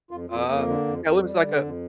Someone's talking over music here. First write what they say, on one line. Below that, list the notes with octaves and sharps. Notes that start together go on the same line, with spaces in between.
Uh, Katt Williams like a
F2 F4
F2 F4
F2 A#3
D3
F2
F2
G3
D3
F2